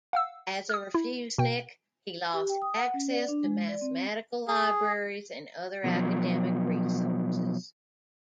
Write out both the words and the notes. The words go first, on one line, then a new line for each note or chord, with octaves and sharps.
As a refusenik, he lost access to mathematical libraries and other academic resources.
F5 F#5 E6
D#6 F6
E4
B2 G5
G4
G5
D#6
F#5
C#4
D5
D4
G#3
D5
C4
G#4
B2 F3 F#3